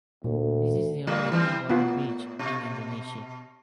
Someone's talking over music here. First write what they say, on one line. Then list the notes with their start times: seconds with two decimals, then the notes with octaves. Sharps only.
This is the only hot water beach in Indonesia.
0.24 D2 A#2
1.07 A2 G3 A#3
1.32 E3 G3 C4
1.69 A2 B3 F4
2.39 B2